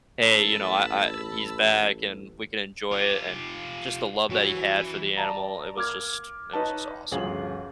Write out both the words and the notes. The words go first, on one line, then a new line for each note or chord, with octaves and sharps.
"Hey, you know, I I he's back, and we can enjoy it," and just the love that he had for the animal, it was just it was just awesome.
A1 A5 B5 E6
F4 G4
E3 F#3 C#4
D5 A5 A#5
A#3 D6 F6 G#6
D#4 B4 C#5 A5
G1 D2 C#3 F3 G#4 F#7